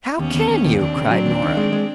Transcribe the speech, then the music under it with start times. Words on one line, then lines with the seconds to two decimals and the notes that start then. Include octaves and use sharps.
"How can you?" cried Nora.
0.19 D#2 B3 C#4
0.34 D#2
0.50 D#2
0.65 D#2
0.80 D#2 C4 D4
0.96 C#3
1.11 F#3
1.26 D#2
1.42 D#3
1.57 G#3
1.73 G#3